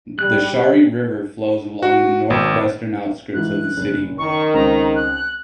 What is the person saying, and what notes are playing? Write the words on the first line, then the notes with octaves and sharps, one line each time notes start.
The Shari River flows along the northwestern outskirts of the city.
G3 F#6
F#4
G#1
G#2 E3 F#6
F#1
D#3 C#6
C#2 C4 A#5
F#6